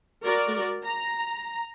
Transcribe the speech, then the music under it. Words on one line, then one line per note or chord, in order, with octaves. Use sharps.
Oh, yeah.
F#4 A#4 D5
A#5